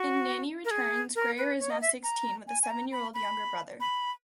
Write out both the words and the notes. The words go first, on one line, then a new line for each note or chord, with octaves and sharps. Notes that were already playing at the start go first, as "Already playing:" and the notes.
In "Nanny Returns", Grayer is now sixteen with a seven-year-old younger brother.
Already playing: F#4
A#4
G#4
A#4
B4
C#5
D#5
E5
A#5
G#5
G#5
A#5
B5
B5
B5